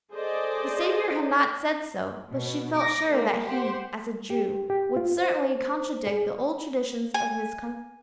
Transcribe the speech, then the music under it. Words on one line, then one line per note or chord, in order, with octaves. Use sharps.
The Saviour had not said so, but she felt sure that He, as a Jew, would certainly contradict the old traditions of his countrymen.
G#4 A4 C5 D5 D#5
B2
D6 A#6
G3 A#3
G4 C5 F#5
G4
G4
F4
C5
G#4
G#5